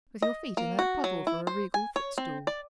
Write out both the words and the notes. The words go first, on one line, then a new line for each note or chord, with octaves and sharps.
'With your feet in that puddle for a regal footstool!
D#5
A#3
F#4
F#3
E4
C5
G#5
C#5
C4
D5